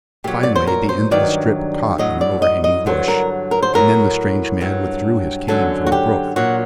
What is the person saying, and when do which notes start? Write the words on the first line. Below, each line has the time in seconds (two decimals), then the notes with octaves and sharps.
Finally the end of the strip caught on an overhanging bush, and then the strange man withdrew his cane from the brook.
0.24 A#2 F#3 G4
0.43 D5
0.56 C5
0.67 A#4
0.89 C5
1.11 G2 D#3 F#3 D5
1.98 A2 F#3 D#5
2.21 D5
2.42 D#5
2.64 D#5
2.86 G2 D3 F#3 C5
3.08 A#4
3.51 A#4
3.62 C5
3.74 A2 F#3 A#4
4.61 G2 F#3
5.48 F#2 D3 F#3 A4
5.87 F#4
5.92 G4
6.36 A#2 F#3 F#4